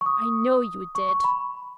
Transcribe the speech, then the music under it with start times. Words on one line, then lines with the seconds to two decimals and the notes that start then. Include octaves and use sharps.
"I know you did."
0.01 C#6
0.06 D#6
0.95 C#6
1.09 C#6
1.24 B5